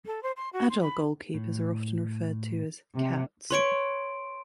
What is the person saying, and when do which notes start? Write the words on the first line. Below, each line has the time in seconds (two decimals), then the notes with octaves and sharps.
Agile goalkeepers are often referred to as cats.
0.06 A4
0.23 C5
0.37 C6
0.53 F#4
0.70 C6
0.82 B5
1.34 A2
2.97 C3
3.51 B4 C#5 C6 C#6 D7